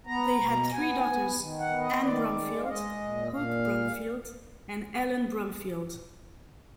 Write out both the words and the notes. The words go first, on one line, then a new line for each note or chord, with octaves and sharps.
They had three daughters, Ann Bromfield, Hope Bromfield and Ellen Bromfield.
B3 A#5
B2
B3 G#5
B3
D#3
F#5
B3
D#5
D#3 D5
G#3
F5
G#3 D#5
A#2
A#2 F5